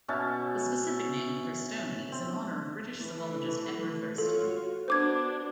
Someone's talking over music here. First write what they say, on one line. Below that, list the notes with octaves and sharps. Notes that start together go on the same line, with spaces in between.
The specific name, "thurstoni", is in honor of British zoologist Edgar Thurston.
B2 C#4 E4 A5
C4
E3 A3 B4
F4 F#4 A4 C#5
B3 D4 F#4 C5 D6 G#6